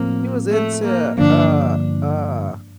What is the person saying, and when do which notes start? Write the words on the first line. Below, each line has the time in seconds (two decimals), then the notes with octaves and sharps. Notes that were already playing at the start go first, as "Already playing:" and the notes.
she was into, uh uh
Already playing: A2 F3 A#3 C4
0.50 A3
0.83 A#3
1.18 G2 D3 F3 A#3 D4